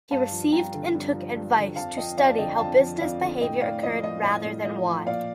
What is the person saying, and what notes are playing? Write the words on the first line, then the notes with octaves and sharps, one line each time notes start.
He received and took advice to study how business behaviour occurred rather than why.
G2 F5 A5
F3
G2 G5 A#5
D3
G2
F3
G2
D3
F2 F5 A5
F3 D#5 G5
F2 D5 F5
A5
D3 D#5 G5
F2 F5 A5
F3
F2 D5 F5
D3
A2 D#5 G5
A2 D5 F5
F3 D#5
F3 D#5
A2 D#5
A2
F3 D#5
F3
A#2 D5 F5